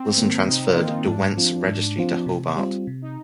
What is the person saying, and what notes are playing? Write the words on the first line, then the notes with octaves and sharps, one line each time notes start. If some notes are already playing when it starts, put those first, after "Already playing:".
Wilson transferred "Derwent"s registry to Hobart.
Already playing: C4
D#3 A#3
C3 D#4
F4
D#3 A#3
D#4
G#2 D4
F3 C4 F4
G#2
F3 C4 F4
C3
G3 C4 F4
C3
D#4